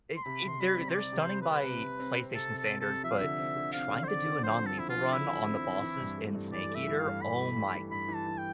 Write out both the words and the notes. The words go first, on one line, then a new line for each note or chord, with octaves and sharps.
f it it they're they're stunning by PlayStation standards, but trying to do a non-lethal run on the bosses and Snake Eater, oh my
C6
C3 B5
C3
C6
G3 B5
C4
C5
C3 D5
C3
C5
C4
C3 B4
C3
C3
C4
C4
C3 A4
C3
A4
C4
A4
C3
F3 E5
F5
D3 E5
C4
D3
C4 F5
D3
C5
C4 D5
D3
F3 C5
C4
A4
F3 E4
F4
F3
D3 E4
F3
C4
C4
E3
G2
A3
G2
E3 D5
A3
E5
E3
F5
G2
G2 B5
A3
G2
E3
G2 B5
E3
A5
E3
G5